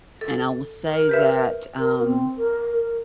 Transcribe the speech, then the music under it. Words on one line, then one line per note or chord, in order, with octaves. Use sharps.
And I will say that, um
A4
A#4
G4 B4 E5
A#4
C4
A#4
A#4